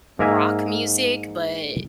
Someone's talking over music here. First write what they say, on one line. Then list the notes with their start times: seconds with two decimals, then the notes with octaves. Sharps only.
rock music, but,
0.19 G#2 A#3 A#4 E5 G#5